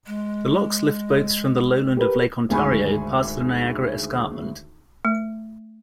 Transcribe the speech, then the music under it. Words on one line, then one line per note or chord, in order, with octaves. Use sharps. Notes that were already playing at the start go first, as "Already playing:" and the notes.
The locks lift boats from the lowland of Lake Ontario past the Niagara Escarpment.
G#3
G4 A#4 B4
G#1 D2 G#3 G#5 B5 C#6
A3